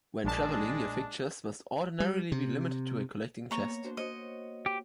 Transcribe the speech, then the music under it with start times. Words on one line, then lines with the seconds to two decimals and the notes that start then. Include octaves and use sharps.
When travelling your fixtures must ordinarily be limited to a collecting-chest.
0.24 A#1 G#3 D4 A5
2.00 G3
2.32 C3
3.51 A#3 B3 C#5 A#5
3.83 D4 F#4 C5
3.97 F#4 C5 C#5 D#5
4.66 G4